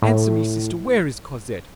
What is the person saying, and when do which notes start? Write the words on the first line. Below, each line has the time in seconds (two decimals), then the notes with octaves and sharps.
Answer me, sister; where is Cosette?
0.02 A2